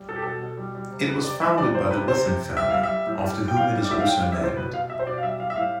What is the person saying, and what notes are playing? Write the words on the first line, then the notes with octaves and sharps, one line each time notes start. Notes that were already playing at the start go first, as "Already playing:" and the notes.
It was founded by the Whitin family, after whom it is also named.
Already playing: G3
B2 A4
G4
B2 A4
B2
G3
G3
C3
C3 B4
C3 D5
G3 E5
C3 D5
F3 C5
C3 B4
C3 C5
C3
C3
G3 E5
G3 F5
E5
G3
A2
G3
G3
G5
A2 F5
G3
D5
A2 E5
F5
A2 G5
F5
G3
E5
A2 C5
B2 B4
B2 F5
B2 E5
C5
B2 D5
F5
G3 E5
G3 F5
E5
A2 F5